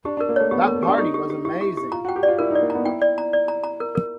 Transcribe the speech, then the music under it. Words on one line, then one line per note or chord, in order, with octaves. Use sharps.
That party was amazing.
D4 G4
D4 A#4
A#3
A3 C#5
B3 G4
A3
A#4
A3
D4 G4
D#4 G4
G4
G4
E4 G4
G4
G4
F4 A#5
F#4 G5
G4
D5
F4
E4 A#4
D#4 D5
A#3
A#5
B3
E4 G5
D5
A#5
D5
A#5
A#5
A#4
A#4